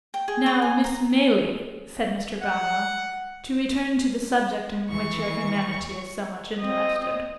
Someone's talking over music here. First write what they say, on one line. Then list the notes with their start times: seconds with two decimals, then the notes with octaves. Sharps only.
'Now, Miss Maylie,' said Mr. Brownlow, 'to return to the subject in which your humanity is so much interested.
0.14 G5
0.28 G#4
0.46 C#5
0.62 G#5
0.84 A#5
2.43 F#5
4.90 D#2 E3 F#3 G3 C#6
6.60 C4 D#5